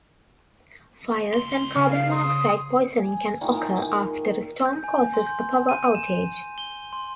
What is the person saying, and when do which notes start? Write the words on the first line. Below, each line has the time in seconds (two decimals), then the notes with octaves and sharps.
Fires and carbon monoxide poisoning can occur after a storm causes a power outage.
1.34 C#2 C6
1.76 C#3
1.89 C2 F5
2.11 C6 D#6
2.99 G#5
3.41 A#2 D#3 E3 G#3
4.66 G6
4.84 G#5
5.14 C6
5.27 G6
5.69 D#7
5.95 E7
6.58 G7
6.93 C6